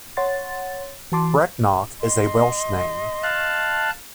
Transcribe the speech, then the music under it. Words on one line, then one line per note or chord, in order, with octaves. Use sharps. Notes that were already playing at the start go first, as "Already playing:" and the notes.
Brecknock is a Welsh name.
C#5 F#5 C6 A6
E3 F#4 A5 C6 D6
D#5 C6
F5 A5 F#6